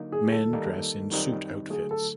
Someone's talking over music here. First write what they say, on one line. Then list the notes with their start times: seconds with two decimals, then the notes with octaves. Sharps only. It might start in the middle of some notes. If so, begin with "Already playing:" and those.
Men dress in suit outfits.
Already playing: D3 F#3 A#3 D#4
0.12 G#4
0.32 A4
0.52 D#2 D#3 G3 A#3 D#4
1.11 F#2 D#3 G3 C4 D#4
1.70 D3 F#3 A3 G#4
1.91 A4